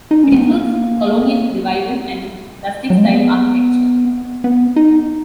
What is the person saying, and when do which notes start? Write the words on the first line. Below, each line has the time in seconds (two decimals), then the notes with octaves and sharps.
It includes Colonial Revival and Rustic Style architecture.
0.11 D#4
0.24 C#4
0.37 B3
0.49 A#3
2.90 F#3
2.98 G#3
3.06 A#3
3.13 B3
4.44 B3
4.76 D#4